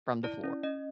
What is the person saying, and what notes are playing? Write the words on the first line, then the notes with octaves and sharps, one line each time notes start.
From the floor.
E4 D5
C#4
C#4 D#5